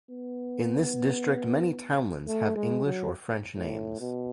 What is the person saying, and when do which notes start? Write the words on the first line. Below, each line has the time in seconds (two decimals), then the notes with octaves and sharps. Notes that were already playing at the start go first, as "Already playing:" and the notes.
In this district, many townlands have English or French names.
0.11 B3
2.27 A3
2.56 G#3
2.85 F#3
3.56 A2
4.00 B2